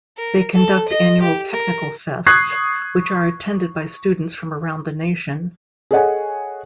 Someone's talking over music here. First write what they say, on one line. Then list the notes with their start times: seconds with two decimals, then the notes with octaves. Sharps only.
They conduct annual technical fests which are attended by students from around the nation.
0.17 A#4
0.54 A4
0.89 D#5
1.22 G4
1.52 A#4
2.27 C#6 D#6 F#6 G#6 C7
5.91 G#4 A4 C#5 D#5 F#5 G#5